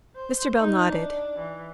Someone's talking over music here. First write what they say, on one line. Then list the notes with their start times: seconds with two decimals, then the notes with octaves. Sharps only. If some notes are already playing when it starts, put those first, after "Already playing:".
Mr. Bell nodded.
0.16 C5
0.60 D#4
0.91 D4
1.39 E3